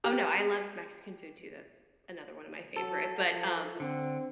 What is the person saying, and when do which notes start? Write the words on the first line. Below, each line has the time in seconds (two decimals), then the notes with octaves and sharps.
Oh, no. I love Mexican food too. That's another one of my favorite. But, um
0.04 G4
2.76 F#3 A4
3.32 F3
3.80 D3 C4